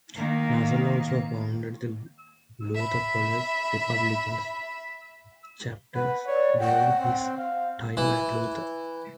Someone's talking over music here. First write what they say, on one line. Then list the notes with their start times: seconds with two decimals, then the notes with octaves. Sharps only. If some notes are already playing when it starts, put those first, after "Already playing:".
Nussle also founded the Luther College Republicans chapter during his time at Luther.
0.16 D#3 A#3
2.75 E5 B5
5.95 B4 F#5
6.27 C#5 D5
6.60 F#5 G5
7.00 C4
7.38 F5
7.97 E3